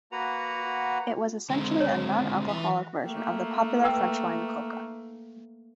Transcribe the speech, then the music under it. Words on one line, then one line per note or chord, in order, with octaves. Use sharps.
It was essentially a non-alcoholic version of the popular French wine coca.
A#3 F#4 B4 F#5 A#5
D3 G#3 C4
C#5
E3 E5
A3 A#3
B4 G5 E6